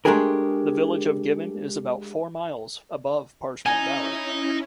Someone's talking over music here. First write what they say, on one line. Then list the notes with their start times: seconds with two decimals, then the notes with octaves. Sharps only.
The village of Given is about four miles above Parchment Valley.
0.05 G#3 A3 D4 G4 G#4 A#4
3.66 C#4 D#4 E4 G#5